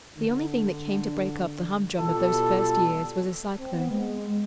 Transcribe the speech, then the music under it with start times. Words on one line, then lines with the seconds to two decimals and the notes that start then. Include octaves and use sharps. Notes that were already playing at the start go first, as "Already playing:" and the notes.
The only thing that came to break up the humdrum of those first years was a cyclone.
0.17 D3
1.98 B2 G3 F4 A4
3.57 C4
3.74 B3
3.90 G#3